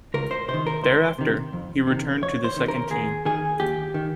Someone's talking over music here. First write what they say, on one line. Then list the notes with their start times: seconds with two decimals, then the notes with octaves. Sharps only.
Thereafter, he returned to the second team.
0.14 C#2 A#4
0.31 C5
0.48 C3 C5
0.54 D#3
0.67 A#4
0.83 C#2 C5
1.19 C3 D#3
1.53 F2
1.87 C3 D#3
2.22 F2 C#5
2.44 C5
2.56 C3 D#3
2.68 A#4
2.90 D#2 G#4
3.25 D#3 G#4
3.60 D#2 G4
3.94 D#3